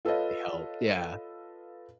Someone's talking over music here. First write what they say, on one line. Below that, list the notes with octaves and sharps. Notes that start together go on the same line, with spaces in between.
they helped yeah.
F4 A4 B4 C#5 D#5 F5